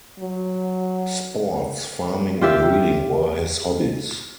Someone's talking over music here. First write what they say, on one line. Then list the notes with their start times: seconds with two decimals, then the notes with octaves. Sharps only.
Sports, farming and reading were his hobbies.
0.19 F#3
2.41 F4 G4 E5